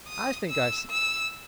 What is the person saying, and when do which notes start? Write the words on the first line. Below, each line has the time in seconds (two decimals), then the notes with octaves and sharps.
I think I see.
0.08 D#6
0.49 E6
0.90 E6